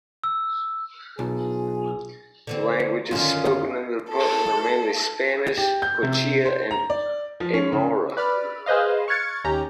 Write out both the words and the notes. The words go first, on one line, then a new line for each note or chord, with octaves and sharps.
The languages spoken in the department are mainly Spanish, Quechua and Aymara.
E6
B1 F4 G#4
D3 E3 C4
F#2 D3 D#3 C#4 F4
A4
G4
G6
C3
C5
A#5
D5
F3
C#4
C#3
B4 D5 B5 F6
G#4 B4 C5 D#5 F5
C#6 F6 F#6 G#6 A6 C#7
D#2 C#4 G4 A#5